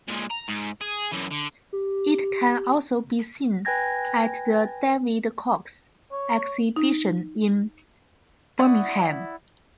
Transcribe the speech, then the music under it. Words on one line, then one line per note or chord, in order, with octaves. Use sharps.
It can also be seen at the David Cox exhibition in Birmingham.
A#2 G#3
A#5
G#2
G#4
F#2 E3
D3
G4
B4 G5 G#5 G#6 A#6
C#5
D#4
E4 D5 F#5 C#6 D#6